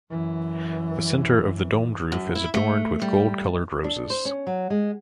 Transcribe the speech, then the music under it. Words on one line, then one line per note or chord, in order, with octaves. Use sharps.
The centre of the domed roof is adorned with gold coloured roses.
F#2 E3
F#2
E4
A3
G3
D4
C5
C#4
F#3
G#3